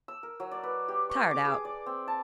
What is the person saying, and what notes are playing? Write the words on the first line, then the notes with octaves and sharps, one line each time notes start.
Tired out.
E6
A#4
F#3
D5
B4
G4
C#6
D6
G#4
D5
C4
A5